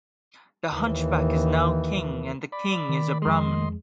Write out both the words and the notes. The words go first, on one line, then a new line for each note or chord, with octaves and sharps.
The hunchback is now king and the king is a Brahman.
D#2 E3
D5 B5
D#3
F2 G#3 D#5 C6